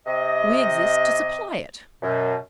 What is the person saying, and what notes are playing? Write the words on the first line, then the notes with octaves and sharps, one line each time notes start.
We exist, to supply it.
C3 D#5
F#2 B2